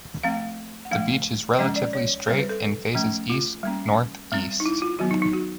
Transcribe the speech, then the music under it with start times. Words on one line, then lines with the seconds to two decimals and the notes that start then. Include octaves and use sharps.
The beach is relatively straight and faces east-north-east.
0.23 F3 A3 C4 F5
0.85 F#5
0.91 F3 A3 D4 F5
1.59 F3 G#3 C#4 D#5
1.76 D5
1.93 C#5
2.27 G3 C4 C5
2.38 B4
2.49 A4
2.95 F3 A3 C#4
3.30 F4
3.63 G3 A#3 C#4
4.32 G3 C4
4.60 D#4
4.66 E4
4.82 F4
4.99 D#3 F#3 B3 F#4
5.11 D#4
5.22 D#4
5.33 F#4